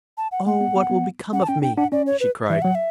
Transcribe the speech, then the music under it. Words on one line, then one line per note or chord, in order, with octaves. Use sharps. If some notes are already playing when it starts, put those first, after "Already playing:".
'Oh! what will become of me?' she cried.
A5
F#5
A3 F#5
B3
B3
B3
C#4 F#5
A5
C#4 G5
D4 G5
D4 F#5
C#4 D5
C#5
B4
E3 E5
F#3 F#5
E5